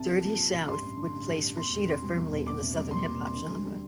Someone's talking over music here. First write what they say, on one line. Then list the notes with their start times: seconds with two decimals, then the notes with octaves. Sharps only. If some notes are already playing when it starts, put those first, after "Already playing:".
"Dirty South" would place Rasheeda firmly in the southern hip-hop genre.
Already playing: C2 G2 C3 A5
0.09 F3
0.23 A#3
0.38 C3
0.53 C2
0.67 G2 C6
0.82 A1
0.97 D3
1.12 A1
1.27 G2
1.42 A1
1.57 E2 C6
1.71 E1
1.86 C3
2.02 G3
2.16 E2
2.32 E1
2.47 A#2 D6
2.61 C2
2.77 G3
2.91 A#3 C6
3.06 A#2
3.21 C2
3.36 D3
3.50 D2
3.65 G3